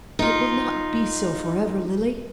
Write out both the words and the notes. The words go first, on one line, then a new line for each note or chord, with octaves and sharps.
"But it will not be so for ever, Lily."
D#4 F4